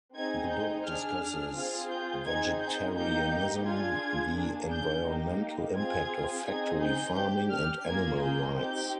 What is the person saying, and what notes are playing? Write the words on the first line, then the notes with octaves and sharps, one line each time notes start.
The book discusses vegetarianism, the environmental impact of factory farming and animal rights.
C4 D#4 G#4 G#6
G6
D4 G#4 F6
C4 F4 G#4
G6
C4 D#4 G#4 G#6
G6
A#3 D#4 G4 G6
D4 F4 G#4 G#6
A#3 D4 G#4
G6
A#3 D#4 G4
C4 F4 G#4 G#6
C4 D#4 G#4 G#6
G6
D4 G4
F6
A#3 F4 G#4 G#6
G6
C4 D#4 G4 G6